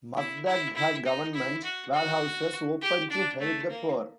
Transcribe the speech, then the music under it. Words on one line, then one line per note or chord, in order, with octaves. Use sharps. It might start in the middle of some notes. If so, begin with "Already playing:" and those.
Mazdak had government warehouses opened to help the poor.
E4
E4
E4
D#4
E4
F#4
F#4
G4
D4
A3
A#3